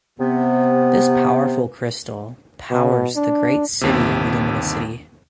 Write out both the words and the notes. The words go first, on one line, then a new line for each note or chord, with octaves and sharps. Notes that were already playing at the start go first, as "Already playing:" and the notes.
This powerful crystal powers the great city of Luminicity.
C3 B3
B2
D4
G1 D#2 C3